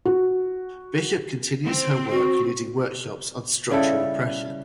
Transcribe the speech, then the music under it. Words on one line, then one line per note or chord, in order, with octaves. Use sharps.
Bishop continues her work leading workshops on structural oppression.
F#4
C4
F#4
C#3 G3 E4 A4